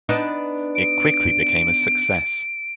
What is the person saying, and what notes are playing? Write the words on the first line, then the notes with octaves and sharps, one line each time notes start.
It quickly became a success.
B3 D4 D#4
D7